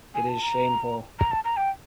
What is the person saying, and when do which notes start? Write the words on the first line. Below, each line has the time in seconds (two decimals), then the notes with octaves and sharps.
It is shameful.
0.15 G#5
0.29 A5
0.42 A#5
1.19 A#5
1.31 A5
1.44 A#5
1.57 G5